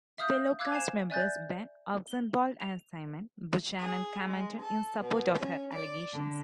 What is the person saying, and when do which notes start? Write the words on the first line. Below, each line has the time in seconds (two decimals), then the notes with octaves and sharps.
Fellow cast members Ben Oxenbould and Simone Buchanan commented in support of her allegations.
0.18 E5 F5 D#6 F6 G6
0.59 F5 D6 E6 F#6 G#6
0.71 C5 G#5 A#5 G#6 C7 E7
1.10 D5 E5 G#5 F#6 G6 A6
2.07 G7
2.60 F7
3.79 G#4
4.29 G#3
4.61 A4
5.01 B2
5.39 C#4
5.73 D5
6.12 D3